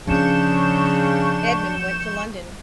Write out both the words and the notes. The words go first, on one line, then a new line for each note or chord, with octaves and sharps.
Edmund went to London.
C#3 F3 C#4 D4 C#6 G6 E7